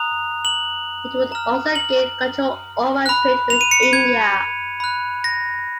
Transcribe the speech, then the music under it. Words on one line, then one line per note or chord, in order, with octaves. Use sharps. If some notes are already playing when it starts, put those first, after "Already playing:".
It would also gain control over trade with India.
Already playing: A#5 D#6 F#6 F7
F#7
A#5 F6
F#7
B5 F#6
F7
D#7
C#7
D#7
G#6
B5 F#6
A#6